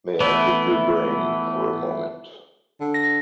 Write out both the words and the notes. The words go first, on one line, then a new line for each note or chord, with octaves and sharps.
May I pick your brain for a moment?
E3 A3 B3 E4
D3
A#6